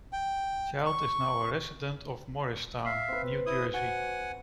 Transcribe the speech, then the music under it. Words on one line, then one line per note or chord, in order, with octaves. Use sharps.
Child is now a resident of Morristown, New Jersey.
G5
C#6
E5 F5
C4 B4
E4 D#6
F#4 F#5 G#5